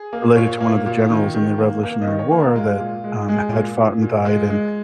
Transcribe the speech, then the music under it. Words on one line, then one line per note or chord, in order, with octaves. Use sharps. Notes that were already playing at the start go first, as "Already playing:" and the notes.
related to one of the generals in the Revolutionary War that, um, had fought and died, and,
Already playing: G#4
A#3
A#2 C#5
A#3
A#2
D#3
D#3
A#3
A#3
D#5
D#3
C#5
A#3
A#4
G#3 F4
A#2
G#3
G#3 G#4
A#2
A#2
A#2
G#3
G#3